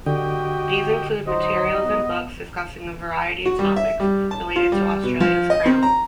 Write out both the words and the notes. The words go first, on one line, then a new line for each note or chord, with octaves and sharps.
These include materials and books discussing a variety of topics related to Australia's Crown.
D3 F#4 G4 D#5 G5
F#3 D#4 C5 D#5
B3
F#4
G3
E5
G3
A5
F4
G3
B2
F3
D#5
C4
A#5